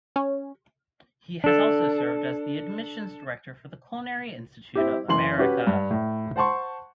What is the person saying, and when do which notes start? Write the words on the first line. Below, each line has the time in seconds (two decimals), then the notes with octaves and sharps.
He has also served as the admissions director for the Culinary Institute of America.
0.16 C#4
1.44 D4 A4
4.75 C4 E4 G4
5.08 F#1 E3 C6 F#7
5.38 C#4 F#4 G4 B4
5.67 G2
5.91 A2
6.36 C5 F#5 A5 C6 C#6